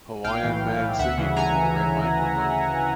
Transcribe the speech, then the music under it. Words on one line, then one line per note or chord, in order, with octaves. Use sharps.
Hawaiian man singing into a red microphone.
B1 F5 G5
A2 E3
B1
A2 E3
D2 E5 F#5
C#3 E3
D2 G#5 A#5